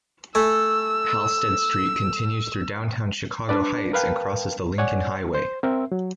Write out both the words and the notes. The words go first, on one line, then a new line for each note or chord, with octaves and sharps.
Halsted Street continues through downtown Chicago Heights and crosses the Lincoln Highway.
A3 G#5 E6
D4 B4 D5
A#4 B4 F5 G5 A5
C#5 D5 F#5 G#5
C5
C4 A#4 E5
F#3